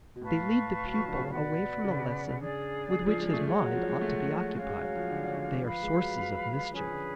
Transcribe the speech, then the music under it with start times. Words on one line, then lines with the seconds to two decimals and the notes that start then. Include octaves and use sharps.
They lead the pupil away from the lesson with which his "mind" ought to be occupied; they are sources of mischief.
0.16 B2
0.21 A2 B4 F5 A5 C#6
0.85 F#3
0.97 F3
1.08 D3
1.19 C#3
1.30 B2 B4 D5 F#5
1.84 C#3
2.38 D4 G#4 D5
3.06 F3
3.20 G#3
3.33 A3
3.47 G#3 F#4 C#5 F#5
3.61 F#3
3.74 F3
3.87 G#3
4.01 A3
4.55 G#3 C#4 F#4 C#5 F5
4.69 G#3
4.83 F#3
4.96 F3
5.10 D3
5.24 D3
5.37 D3
5.51 D3
5.64 F3 B4 F5 B5
5.83 G#3
6.00 F#3
6.72 F3 C#4 G#4 B4
6.91 D3